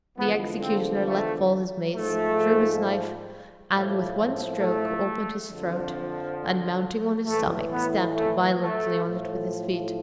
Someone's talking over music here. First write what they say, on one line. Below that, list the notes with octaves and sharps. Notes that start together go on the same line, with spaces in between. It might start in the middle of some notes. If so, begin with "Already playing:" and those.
The executioner let fall his mace, drew his knife, and with one stroke opened his throat, and mounting on his stomach, stamped violently on it with his feet.
E2 D3 F3 B3
C4
A3
G#2 F3 A3
A2 F3
A3
F2 D3 F3
A2 E3 A3
B3
A3
A3
A2 F3